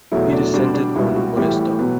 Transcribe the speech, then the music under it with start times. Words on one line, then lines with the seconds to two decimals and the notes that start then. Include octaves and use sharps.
It is centered on Modesto.
0.12 E2 B2 F#3 A3 E4
0.33 D4
0.54 B2 G3 B3 D4
0.74 D4
0.95 C#2 B2 G3 B3 E4
1.16 F#4
1.37 A2 E3 G3 G4
1.79 B2 F#3 B3